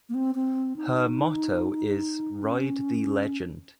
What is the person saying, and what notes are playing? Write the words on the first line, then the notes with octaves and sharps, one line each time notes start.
Her motto is "Ride the Legend".
A#3
C4
C4
D#4
C#4